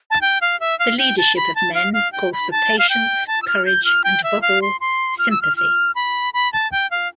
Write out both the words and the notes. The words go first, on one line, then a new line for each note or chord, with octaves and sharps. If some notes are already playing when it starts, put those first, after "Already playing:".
The leadership of men calls for patience, courage, and, above all, sympathy.
A5
G5
F5
E5
F5
G5
A5
B5
A5
F5
F5
G5
B5
A5
F5
G5
A5
E6
F6
G6
F6
G5
E5
F5
C6
C6
F6
E6
F6
F6
B5
B5
A5
G5
F5